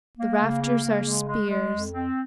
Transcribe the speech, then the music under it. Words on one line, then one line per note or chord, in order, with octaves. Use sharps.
The rafters are spears.
A#3
C#3
A#3
C#3
G#3
G#3
G#3
F2
C4